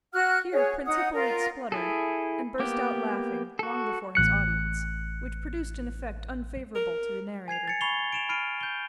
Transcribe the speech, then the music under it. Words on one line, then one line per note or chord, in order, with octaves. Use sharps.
Here Prince Hippolyte spluttered and burst out laughing long before his audience, which produced an effect unfavorable to the narrator.
F#4 F#5 F6 F#6
G#4 C#5
D#4 F#5 D#6
F4 A#4
E4 G#4 A4
A#3 B3 G4
F#4 A4
A1 F#6 C#7
A#4
G#5 G#6 C7 F7
A6 C#7
B5 C#6 C7 F7 G7
D7 E7 F7
B5 F6 C7 D7 D#7
G6 G7